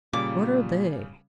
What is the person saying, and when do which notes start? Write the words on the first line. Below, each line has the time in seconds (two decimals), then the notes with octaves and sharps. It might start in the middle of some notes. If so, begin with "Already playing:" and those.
"What are they?"
0.13 A#2 C#3 G3 D6